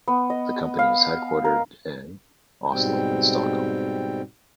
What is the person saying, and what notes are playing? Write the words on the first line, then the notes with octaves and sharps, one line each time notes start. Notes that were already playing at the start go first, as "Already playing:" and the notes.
The company is headquartered in Oslo and Stockholm.
B3
D#5
F5
A#4
G#2 B2 G3 C4 G5